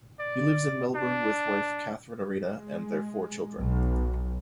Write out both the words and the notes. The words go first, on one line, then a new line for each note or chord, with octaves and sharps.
He lives in Melbourne with wife Catherine Arena and their four children.
D5
D4
G#3
B1